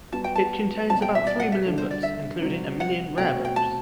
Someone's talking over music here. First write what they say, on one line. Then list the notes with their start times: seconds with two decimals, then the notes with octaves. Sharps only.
It contains about three million books, including a million rare books.
0.13 G3 B3 F#4 A5
0.24 G5
0.36 A5
0.89 B2 G3 C4 A5
1.02 G5
1.15 E5
1.27 D5
1.40 F#5
1.52 E5
1.65 D3 G3 D4 A4
1.78 C5
1.91 D5
2.03 E5
2.41 C3 G3 C4 F#4
2.80 F#5
3.18 B2 A3 C4 F#4 G5
3.45 G5
3.56 A5